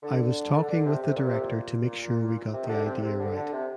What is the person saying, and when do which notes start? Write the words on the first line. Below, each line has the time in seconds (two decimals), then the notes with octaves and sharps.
I was talking with the director to make sure we got the idea right.
0.03 D3
0.53 D3
0.70 D3
0.86 C3
1.03 C3
1.16 A#2
1.28 C3
1.41 A#2
2.53 C3
2.64 D#3
2.69 D3
2.87 C3
3.03 C3
3.20 D3
3.37 D3
3.53 C3